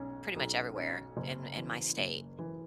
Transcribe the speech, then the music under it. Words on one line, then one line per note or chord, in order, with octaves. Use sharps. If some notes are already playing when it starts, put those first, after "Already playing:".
pretty much everywhere in in my state.
Already playing: B1 C#4
B1
C#4
F#1
E3
F#1
E3